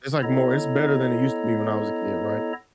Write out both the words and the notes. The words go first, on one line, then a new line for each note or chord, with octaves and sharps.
it's, like, more it's better than it used to be when I was a kid, right,
B3 E4 A4 C#5 D#5 A#5